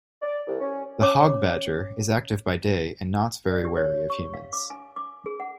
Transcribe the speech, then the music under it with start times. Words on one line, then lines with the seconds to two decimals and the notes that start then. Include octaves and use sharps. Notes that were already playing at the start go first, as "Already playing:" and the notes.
The hog badger is active by day and not very wary of humans.
0.22 D5
0.47 C2
0.59 C#4
1.01 C#4 C#5 D6
3.52 D5
3.65 G4
3.77 C#5
4.10 C#6
4.34 F5
4.53 D6
4.70 G#5
4.96 D6
5.26 G#4
5.40 F#5